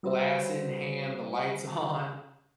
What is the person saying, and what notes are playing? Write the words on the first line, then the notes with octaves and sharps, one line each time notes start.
glass in hand, the lights on?
G3 F#4 B4 C5 E5